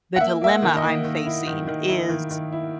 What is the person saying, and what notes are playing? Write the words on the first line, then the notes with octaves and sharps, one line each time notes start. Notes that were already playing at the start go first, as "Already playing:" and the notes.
the dilemma I'm facing is
F#5
A#3 E5
A#3 E5
F#5
D#3
D#5
A#3
D#3
E4
D#3
D#3
E4
D#3
D#3
E4